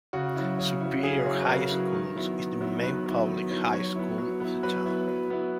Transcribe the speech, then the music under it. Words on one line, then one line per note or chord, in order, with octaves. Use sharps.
Superior High School is the main public high school of the town.
C#3 F#4
F#3 C#4 E4
C#3
F#3 C#4 E4
C#3 G#4
F#3 C#4 E4
B4
C#3 A#4
F#3 C#4 E4
D#3
F#3 B3 E4
D#3
F#3 B3 E4
D#3 B4
F#3 B3 E4
D#3
F#3 B3 E4
F#3 C#5
B3 E4
F#3
B3 E4
F#3 B4
B3 E4
F#3
B3 E4